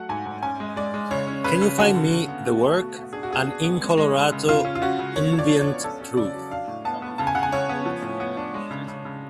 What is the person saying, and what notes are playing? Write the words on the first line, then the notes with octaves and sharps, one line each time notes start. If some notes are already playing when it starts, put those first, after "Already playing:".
Can you find me the work, An InColorado Nvenient Truth?
Already playing: F#3 A3 F#5
G#2 G#5
G#2
C#4 G#5
G#3
G#3 D5
G#3
C#3 C#5
C#4
C#3 B4
C#3
D3 F#4
D3
D3
B3
B2
A3
B2
B2
D4 G#4
F#4
B3 G#4
D4
B3
G#3
G#3
G#3
C#3
C#3 F4
C#4
F4
C#4 F#4
C#3
B3 C#5
F3
D5
D4
C#5
B3
C#4 A4
C#4
C#3 D5
F#3
D4 F5
A2
B3 A5
B3
C#3 A5
G#5
C#3 F#5
G#5
C#3 C#5
B3
F3
A2
B3
D4
G#3
C#3
C#3
C#3